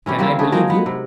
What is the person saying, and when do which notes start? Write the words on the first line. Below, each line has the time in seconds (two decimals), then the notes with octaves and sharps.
"Can I believe you?"
0.06 E3 C#4 E4 G4
0.19 E3 G3 A#3 C4
0.39 A3 D4 G#4
0.52 F#3 G#3 A#3 D#4
0.70 B3 F#5
0.86 C3